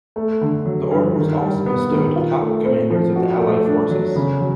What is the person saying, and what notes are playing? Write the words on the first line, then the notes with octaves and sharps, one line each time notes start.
The order was also bestowed to top commanders of the Allied forces.
A3
D3
F#3
G2
D#3
G3
B3
D#3
F4
A3
C4
F3
F#4
A3
D4
F#3
C#3
F#3